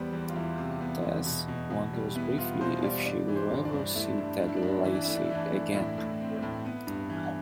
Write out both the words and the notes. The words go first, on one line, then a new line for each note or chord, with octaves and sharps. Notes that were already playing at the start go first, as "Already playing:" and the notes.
Tess wonders briefly if she will ever see Ted Lacey again.
Already playing: E2 G3 B3 C5 D5
E2
F4
E2 E4
C3
B3
E2
B2
B2
B2
G3
B3 E4
B3 F4
B2 C5
G3 D5
G2 D5
E3
C5
G2
D4
G2
A3 E4
G2
G2 D4
E4
D4
G2
E3 E4
D4
A3 E4
D4
E4
E3 D4
E4
A3
A2 E4
A2
C4
A2
B3
G2
E3